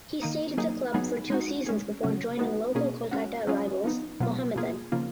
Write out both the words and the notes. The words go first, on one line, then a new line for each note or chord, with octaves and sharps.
He stayed at the club for two seasons before joining local Kolkata rivals Mohammedan.
D#3 A#3 D#4
F#3 A#3 D#4 G#4
F#3 B3 D#4 G#4
G#3 D#4 F#4
G#3 C#4 G#4
C#3 F#3 C#4 F#4
G#3 B3 D#4 F#4
B2 A#3 C#4 G#4
G#3 C#4 F#4
F#3 C#4 F4 G#4
F3 B3 D#4
B2 F#3 B3 F4
B2 A#3 F4 G#4
C#3 F3 A#3 F4